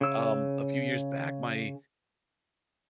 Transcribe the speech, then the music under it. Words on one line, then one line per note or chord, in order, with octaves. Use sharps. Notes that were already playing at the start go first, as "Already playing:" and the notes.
um, a few years back, my,
C#3 E6